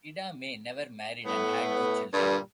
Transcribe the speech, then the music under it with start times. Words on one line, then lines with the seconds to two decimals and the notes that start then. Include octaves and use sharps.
Ida May never married and had no children.
1.25 A2 A3 B3
2.14 G2 A#2 D3 G3